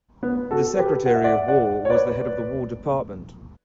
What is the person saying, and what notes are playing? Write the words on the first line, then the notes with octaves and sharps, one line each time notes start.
The Secretary of War was the head of the War Department.
B3
F#4 A4
G4 B4
F#5
E5
D5 F#5
D5 F#5
C#5
B4 D5